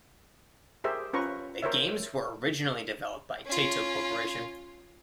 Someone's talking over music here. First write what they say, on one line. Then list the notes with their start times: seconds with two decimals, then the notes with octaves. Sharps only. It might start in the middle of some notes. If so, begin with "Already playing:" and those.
The games were originally developed by Taito Corporation.
0.84 G4 G#4 A#4 C5 E5
1.13 C#4 F4 B4 C5 A#5 C#6
1.63 A#4 C5 C#5 E5
3.46 C#4 F4